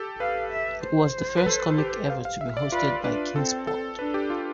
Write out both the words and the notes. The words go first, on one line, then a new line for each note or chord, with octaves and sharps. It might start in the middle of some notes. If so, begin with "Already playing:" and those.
It was the first comic ever to be hosted by Keenspot.
Already playing: G4 A4
B4 F5
E5
C5
B4
A4
G4
F5
F5
E5
D5
F4 B4
D4 B4
C4 A4
A4
D4 B4
G4
F4